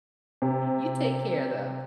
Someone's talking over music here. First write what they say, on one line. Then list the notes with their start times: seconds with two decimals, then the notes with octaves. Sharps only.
you take care though.
0.42 C3